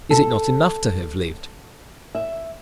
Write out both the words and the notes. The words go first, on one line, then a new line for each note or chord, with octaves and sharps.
Is it not enough to have lived?
A4
E5